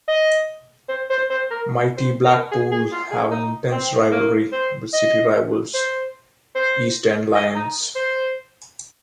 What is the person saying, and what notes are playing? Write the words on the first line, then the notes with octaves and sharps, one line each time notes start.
Mighty Blackpool have an intense rivalry with city rivals East End Lions.
D#5
C5
C5
C5
A#4
C5
A#4
G#4
G#4
F4
G#4
D#4
C4
A#3
C5
D#5
C5
C5
D#5
D#4
C5